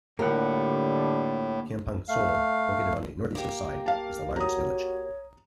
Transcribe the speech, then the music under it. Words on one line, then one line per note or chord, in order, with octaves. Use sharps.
Kampung Sole, located on the northeastern side, is the largest village.
A2 D3 G3 A#3 F4 G4 A#4 F#5
A3 F5
A#3 G4
F5 A5
F#4 C#5 A#5 D#6